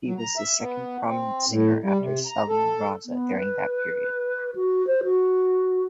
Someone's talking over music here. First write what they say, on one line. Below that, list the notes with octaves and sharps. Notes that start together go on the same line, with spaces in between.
He was the second prominent singer after Saleem Raza during that period.
F#3
A#5
E5
B3
C4
A2
G3
C3
A#5
A4
B3
B4
F#4
C5
F#4